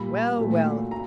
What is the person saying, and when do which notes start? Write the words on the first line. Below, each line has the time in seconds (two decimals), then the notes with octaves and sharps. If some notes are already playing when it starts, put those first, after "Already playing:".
Well, well!
Already playing: A#2 G3 B5
0.38 A#2 F#3 A3
0.91 A#5